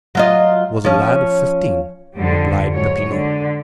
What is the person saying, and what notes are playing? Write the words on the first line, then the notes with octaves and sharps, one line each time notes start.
"Was a lad of fifteen," replied Peppino.
F#3 F4 D#5
F3 C#4
F2 D3 F3 G3
G#2 F#3 C#5
D3